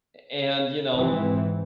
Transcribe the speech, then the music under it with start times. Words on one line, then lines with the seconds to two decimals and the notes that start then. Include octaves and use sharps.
and, you know,
0.96 G#2 E3 C4